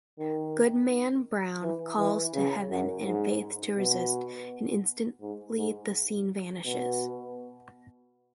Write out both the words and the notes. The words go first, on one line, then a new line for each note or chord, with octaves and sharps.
Goodman Brown calls to heaven and Faith to resist and instantly the scene vanishes.
D#3
E3
E3
C#3
F#2
G#2
B2
G#2
G#2
B2